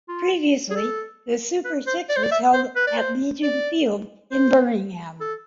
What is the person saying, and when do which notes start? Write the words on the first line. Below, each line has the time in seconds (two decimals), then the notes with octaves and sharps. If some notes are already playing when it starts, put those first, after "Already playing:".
Previously, the Super Six was held at Legion Field in Birmingham.
0.09 F4
0.70 G#4
0.76 A4
1.65 B4
1.87 C5
2.09 D5
2.16 C5
2.23 D5
2.31 E5
2.53 C5
2.76 B4
2.87 D5
2.98 C5
3.43 D5
4.32 C5
5.20 A4